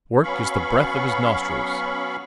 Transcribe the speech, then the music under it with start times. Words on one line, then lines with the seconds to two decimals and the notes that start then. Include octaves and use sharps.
Work is the breath of his nostrils.
0.23 F#3 B3 C#4 F5 B5 C#6